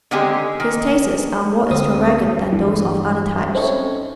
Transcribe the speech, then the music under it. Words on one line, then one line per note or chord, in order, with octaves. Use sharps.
His tastes are more extravagant than those of other types.
D3 D#3 G#3 C4 G4 G#4
D#3
D2 C4 F5 D#6
G2 E3
C4 C#4 D#4 E4 A4 C#5